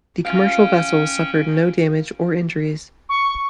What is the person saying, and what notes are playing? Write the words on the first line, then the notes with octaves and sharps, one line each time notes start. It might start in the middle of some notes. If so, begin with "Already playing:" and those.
The commercial vessel suffered no damage or injuries.
C#4 F4 F5 G5
C#6